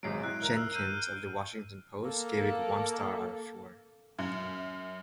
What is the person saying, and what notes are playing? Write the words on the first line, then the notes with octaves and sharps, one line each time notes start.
Mark Jenkins of "The Washington Post" gave it one star out of four.
G#1 G#2 F#3 C7 D7
E4 F#6
A#4 A#5
E6 F6
F6 G6 D#7
A#3 A4
F#2